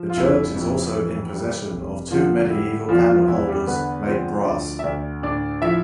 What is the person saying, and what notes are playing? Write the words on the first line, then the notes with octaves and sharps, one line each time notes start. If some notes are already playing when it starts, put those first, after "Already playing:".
The church is also in possession of two medieval candle holders made brass.
Already playing: F3
F4
F1 E4
F2
E3
G3
F1
D3 F3 F4
G3 E4
E2 F3 F4
F3 F4
E2 E4
G3 G4
D3 B3 B4
F3 C4 C5
D2 D4 D5
E5
D2 D4 D5
A2 D4 D5
F3 E4 E5